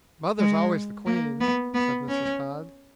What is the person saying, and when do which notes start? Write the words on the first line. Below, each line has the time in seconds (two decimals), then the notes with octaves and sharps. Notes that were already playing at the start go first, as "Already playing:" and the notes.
"Mother's always the queen," said Mrs. Todd.
0.39 G#3
1.06 A#3
1.40 B3
1.74 B3
2.08 C#4